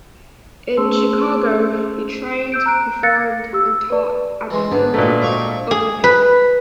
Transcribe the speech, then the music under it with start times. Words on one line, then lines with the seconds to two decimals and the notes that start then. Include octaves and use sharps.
In Chicago, he trained, performed, and taught at the Improv Olympic.
0.77 A3 C#4 G#4 C5 C6 E6
2.52 E6 G6 D7
2.66 A#5 F#6 D7
3.03 F5 E6 F#6 A6 A#6 C#7
3.15 G#6
3.53 G4 E6
3.90 B4 D5
4.50 E3 G#3 C6
4.71 G#2 D3 B3 D4
4.94 A#2 A3 D4 D#4 F#4
5.22 C4 D#4 F5 C#6 D6
5.71 G#4
6.04 B4